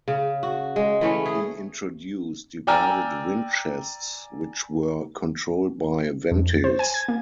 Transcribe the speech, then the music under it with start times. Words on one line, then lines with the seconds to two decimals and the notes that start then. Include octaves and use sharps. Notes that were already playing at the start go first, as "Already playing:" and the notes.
He introduced divided windchests which were controlled by ventils.
0.08 C#3
0.43 F#4
0.76 G#3
1.01 E3 A3 C#4
1.26 G#4
2.67 D5 G5 G#5 A#5 E6 F6
6.31 F2
6.49 A6
6.64 C5
6.79 G#5
6.94 G#6
7.08 A#3